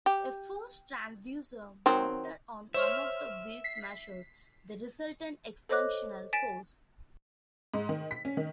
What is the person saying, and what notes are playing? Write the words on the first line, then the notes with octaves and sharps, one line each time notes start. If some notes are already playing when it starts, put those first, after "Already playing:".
A force transducer mounted on one of the wheels measures the resultant extensional force.
G4
D#3 F#3 C4
C5 C#5 E5 F6
B6 C7
A4 C5 C#5 D#5 D6 F#6
G#5 A6 B6 D7 E7
G#2
D#3
B6
C#4
D#3